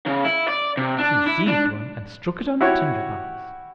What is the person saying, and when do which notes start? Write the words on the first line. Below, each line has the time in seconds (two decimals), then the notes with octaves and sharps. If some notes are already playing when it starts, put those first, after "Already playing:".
He seized one and struck it on the tinder-box.
0.06 C#3
0.25 E4
0.48 D5
0.77 C3
0.98 D4
1.26 E4
1.47 D4
2.61 E4 F#4 G4 C#5